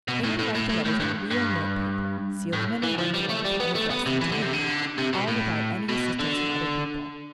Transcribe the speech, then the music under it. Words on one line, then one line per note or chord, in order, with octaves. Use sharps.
They were to write the letters on real note paper, seal them in an envelope, and address them to me, all without any assistance from other people.
B2
A2
A2
A2
A2
A2
G2
G2
A2
E3
F3
G3
A3
G3
B3
A3
B3
C3
E3
D3
C3
D3
C3
B2
A2
B2
D3